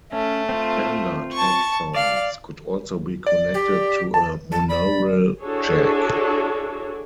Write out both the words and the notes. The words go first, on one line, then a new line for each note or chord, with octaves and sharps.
Standard headphones could also be connected to a monaural jack.
A3 C#4
C4 F4
A5 C#6
D5 F5
D5
G4
A5
A5
D5 B5
D4 E4 F#4 G#4 A4 C#5